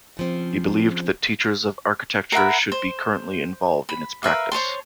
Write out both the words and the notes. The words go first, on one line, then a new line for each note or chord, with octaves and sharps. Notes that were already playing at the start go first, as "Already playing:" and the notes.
He believed that teachers of architecture should be currently involved in its practice.
C#3 F3 C4
A#4 E5 F#5 B5
C5
B5
A#4 B4 E5 F5
C5 C#5 A5 C6